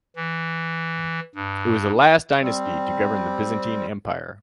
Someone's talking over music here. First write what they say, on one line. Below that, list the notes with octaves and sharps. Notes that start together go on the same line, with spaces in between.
It was the last dynasty to govern the Byzantine Empire.
E3
G2
G3 C4